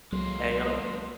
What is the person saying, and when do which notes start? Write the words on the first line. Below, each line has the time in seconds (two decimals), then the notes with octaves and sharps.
And you're like
0.12 C2 F#3 G#3 A#3 C6